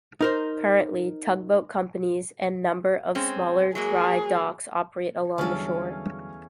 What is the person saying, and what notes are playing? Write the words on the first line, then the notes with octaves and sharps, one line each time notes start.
Currently, tugboat companies and number of smaller dry docks operate along the shore.
D#4 A#4 C5
G#3 C4 C#4
F#3 G#3 A#3 G#4
E2 D3 F#3 G3 C#4 A4 F5 G#5